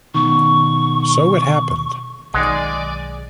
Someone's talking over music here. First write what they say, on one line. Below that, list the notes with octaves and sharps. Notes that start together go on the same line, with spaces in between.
So it happened.
B2 D#3 C#6
B1 D#3 G#3 D5 F#5 G#5